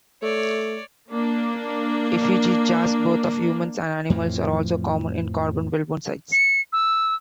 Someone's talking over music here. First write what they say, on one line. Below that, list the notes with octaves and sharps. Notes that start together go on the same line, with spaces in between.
Effigy jars, both of humans and animals, are also common in Caborn-Welborn sites.
A3 C#5 D5
A#3 D4
F2 A2 E3 F3
C#7
E6